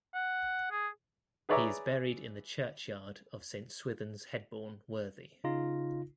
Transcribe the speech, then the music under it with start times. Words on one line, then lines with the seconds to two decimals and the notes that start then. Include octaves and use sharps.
He is buried in the churchyard of Saint Swithun's Headbourne Worthy.
0.14 F#5
0.71 G#4
1.49 G#4 B4 C#5 D5 E5 A#5
5.44 C#3 D#4 F4 A#6